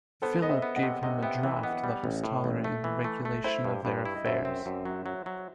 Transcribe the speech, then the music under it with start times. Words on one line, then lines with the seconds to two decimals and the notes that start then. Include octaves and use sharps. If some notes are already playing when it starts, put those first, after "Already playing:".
Philip gave him a draft that was tolerant in the regulation of their affairs.
0.22 B3 A4 C5
0.42 B3 D#5
0.49 C5 E5
0.62 B3
0.76 D#5 F#5
0.83 C3
1.03 C3 D#5 F#5
1.22 B3 E5 G5
1.43 E3 E5 G5
1.63 B3 D#5 F#5
1.84 G3
2.04 A1
2.24 A2
2.44 A1
2.64 A3
2.84 E3
3.04 A3
3.25 A3
3.44 E4 C5 E5
3.64 G2
3.85 G2
4.05 E4
4.15 D#5
4.25 F#2 C5 E5
4.45 C4
4.66 F#2
4.85 F#3
5.06 F#3
5.26 F#3